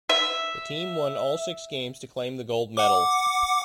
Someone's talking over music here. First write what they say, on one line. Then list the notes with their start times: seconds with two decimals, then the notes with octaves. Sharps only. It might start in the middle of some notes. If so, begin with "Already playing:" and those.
The team won all six games to claim the gold medal.
0.10 E5
2.77 F#5 D6